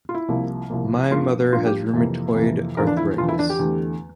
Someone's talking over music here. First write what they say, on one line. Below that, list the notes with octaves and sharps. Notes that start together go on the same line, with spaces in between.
My mother has rheumatoid arthritis.
F4
E4
C2 C3 F3 A#3
C2 C3 F3 A#3
G2 F3 A#3 F4
G2 F3 A#3 F4
G4
F2 C3 E3 A#3
F2 C3 E3 A#3
E2 D3 F3 A#4
D4
E4
E2 D3 F3 F4
E4
D4
G4
E2 D3 A3